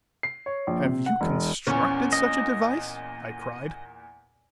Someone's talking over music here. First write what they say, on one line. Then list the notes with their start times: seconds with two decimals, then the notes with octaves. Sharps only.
"Have you constructed such a device?" I cried.
0.23 C7
0.46 C#5
0.67 A#1
0.84 C3
1.06 F#5
1.21 E1
1.67 E2 A#2 C#4
2.13 D#5